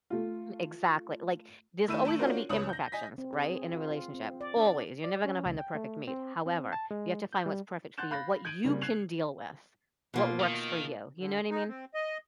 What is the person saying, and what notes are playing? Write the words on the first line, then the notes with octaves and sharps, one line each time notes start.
Exactly, like, there's always gonna be imperfections, right, in a relationship, always, you're never gonna find the perfect mate, however, you have to find what's perfect for you, what you can deal with, what works for you, you know what I mean? W
A3 F4
D#3 A3 E4 E6 D#7 E7
A3 A5 D7 F#7
C#4 D4 F4 F#4 A#4 C5
C#2 C#4 B4 D#6 F#7
G6 A#6
D#5 G#5 A#6 B6
C4
G#4
C4
F4
F4
C4
D5
D4
D5
C#4
C#2
G5
A3
C4
C4
A5
G#3
G6
G3
F#5 C6 F#6 G6 A6 E7
F5 B5 F#6 G6 A6 A#6
G6 G#6 D7 D#7 F#7
C#3 G3 A#3 C4
F#6 G#6 C7 F7 F#7
B2 A#3 F4
D#3
D3
D#4
C4
D#5